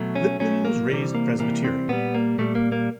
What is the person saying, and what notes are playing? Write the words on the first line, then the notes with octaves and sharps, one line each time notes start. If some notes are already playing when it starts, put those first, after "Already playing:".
Lippman was raised Presbyterian.
Already playing: B2 F#3 A3
C#4
B2 F#3 A3 C#4
A#3
C3 E3 G3
A#3
C3 E3 G3 A#3
C4
A#2 G3 B3
A#3
A#2 G3 A3
A#3
A#3